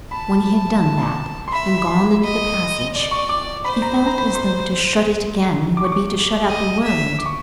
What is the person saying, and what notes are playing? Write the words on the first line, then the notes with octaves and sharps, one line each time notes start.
When he had done that, and gone into the passage, he felt as though to shut it again would be to shut out the world.
A5 B5
C6
E5 B5
B5
C6
D#5
D5
C#6
D6
C5 B5
A#5
A#5
B5
C6
D6
C#6
D6
D#5
E5
D6
C#6